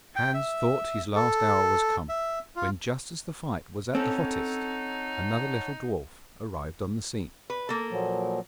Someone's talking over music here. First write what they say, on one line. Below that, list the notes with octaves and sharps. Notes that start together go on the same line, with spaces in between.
Hans thought his last hour was come, when just as the fight was at the hottest another little dwarf arrived on the scene.
G5
E5
A4
E5
F4
C4 C#4 D#4 A4 C#5 F#5 A5
B4
A#3 A4
A#2 F3 F#3